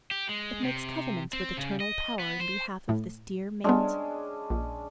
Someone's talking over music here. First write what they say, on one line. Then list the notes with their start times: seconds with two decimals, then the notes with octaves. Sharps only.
It makes covenants with Eternal Power in behalf of this dear mate.
0.11 G4
0.29 G#3
0.63 C3
1.33 C4
1.57 C#3
1.80 D#5
2.20 B3
2.40 C5
2.89 A2
3.64 G3 G#3 B3 C#4 D4
4.50 A#1